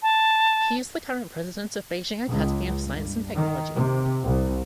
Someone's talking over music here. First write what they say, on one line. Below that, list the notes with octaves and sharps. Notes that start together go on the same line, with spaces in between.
He is the current President of Beijing Academy of Science and Technology.
A5
C#2
G2
D#3
C3
C2